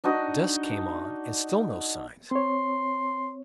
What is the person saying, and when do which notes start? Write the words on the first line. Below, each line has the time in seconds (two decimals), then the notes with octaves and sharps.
Dusk came on, and still no signs.
0.04 D4 D#4 F#4 D#5
2.31 C4 C#5 C6